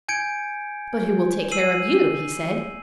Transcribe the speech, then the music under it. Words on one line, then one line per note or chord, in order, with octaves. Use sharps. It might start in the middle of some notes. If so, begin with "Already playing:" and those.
"But who will take care of you?" he said.
G#5 G6 G#6 C#7 D7
E6 C7 D#7 F#7